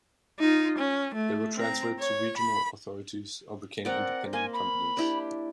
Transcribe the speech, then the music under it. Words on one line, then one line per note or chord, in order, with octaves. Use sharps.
They were transferred to regional authorities or became independent companies.
D#4 F4
C#4
A3
C4 A#5
C#5
B5
C4 A#4 D5 F#5
A#3 G#5 C6
B5
D4 E4 G4